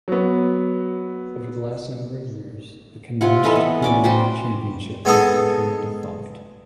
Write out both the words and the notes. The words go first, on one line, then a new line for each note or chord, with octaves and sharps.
Over the last number of years the Connacht Hurling Championship has become defunct.
F#3 B3
C3 F4 F#5
E3 A4 B4 D#5
B3
C#4 D5 D6
G3 F#4 G4 C5
G#3 B3 D#4 A4 D#5